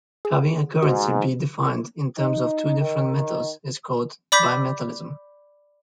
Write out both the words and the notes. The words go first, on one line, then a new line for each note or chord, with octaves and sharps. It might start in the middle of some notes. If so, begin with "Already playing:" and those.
Having a currency be defined in terms of two different metals is called bimetallism.
G#4
G#2 F#4
D#4
D#3
D5 B5 D6 G6 B6